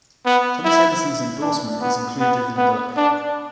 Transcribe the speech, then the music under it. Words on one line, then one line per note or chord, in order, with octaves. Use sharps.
Thomas Edison's endorsement is included in the book.
B3
E4
D4
B3
B3
B3
D4